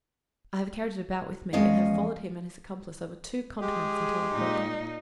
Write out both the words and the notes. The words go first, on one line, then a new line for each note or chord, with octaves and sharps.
I have carried it about with me, and have followed him and his accomplice over two continents until I caught them.
E2 F3 G#3 C#4 D#5 F5
G#3 G4 G#4
A#2 D#4